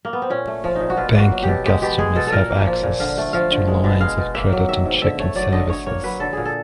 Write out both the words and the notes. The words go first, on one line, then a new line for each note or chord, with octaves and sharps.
Banking customers have access to lines of credit and checking services.
A#3
B3
C4
A#2 C#4
A3
F3
A#2 D#4
F#4
B2 F4
A#3
F#4
F#3
B2 G4
G#3 G4
B2 G4
G#3 G#4
B2 A4
A4
A#2 A#4
A#3
F3
A#2
D3 F5
A3
F3 F5
D3
G#3
B2
G#3 F5
B2
A#3 E5
F#3
D#3 E5
G#2
D3 E5
A3 C#5
F#3 D5
D3 D#5
D3 C#5
A#3 C#5
F#3 B4
D3 A4
A#2 G#4
A4